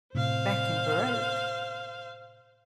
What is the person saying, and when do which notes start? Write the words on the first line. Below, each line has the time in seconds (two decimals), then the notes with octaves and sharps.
Back in Baroque...
0.15 A2 C3 C5 F5